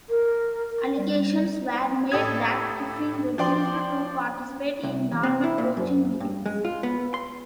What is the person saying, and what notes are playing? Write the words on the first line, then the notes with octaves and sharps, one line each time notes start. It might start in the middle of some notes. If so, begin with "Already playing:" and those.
Allegations were made that Kiffin refused to participate in normal coaching meetings.
A#4
G3
A2 G4 A4 D#6 G#6
F3 D4 D5 G5 C6
C2
E2
C4
E4
A#2
F#2
G2
G#3
F4
B3
C6